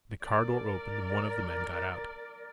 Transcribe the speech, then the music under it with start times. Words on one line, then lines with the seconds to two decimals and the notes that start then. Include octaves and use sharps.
The car door opened, and one of the men got out.
0.24 A#4 D5